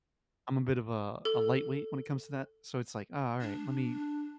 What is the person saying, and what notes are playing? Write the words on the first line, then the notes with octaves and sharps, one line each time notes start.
I'm a bit of a a lightweight when it comes to that. So it's like, "Ah, alright, lemme
A4
D4